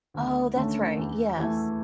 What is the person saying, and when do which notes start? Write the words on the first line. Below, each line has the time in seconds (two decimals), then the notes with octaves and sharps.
Oh, that's right. Yes.
0.14 D2
0.56 D3 A3 C#4
0.96 E2
1.36 E3 A3